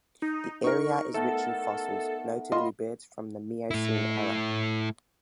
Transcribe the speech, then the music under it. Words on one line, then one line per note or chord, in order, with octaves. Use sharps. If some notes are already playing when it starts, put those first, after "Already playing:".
The area is rich in fossils, notably birds from the Miocene era.
D#4
D#4 A#4 C#6
A3 B3 A4
F4 D#5 E5 B5 C6
A3 E4